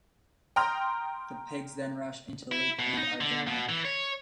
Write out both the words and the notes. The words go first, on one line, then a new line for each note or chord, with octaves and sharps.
The pigs then rush into the Lake and are drowned.
G5 A#5 C6 D#6 F6 A#6
E4
B2
D#4
D3
B2
E3
C#5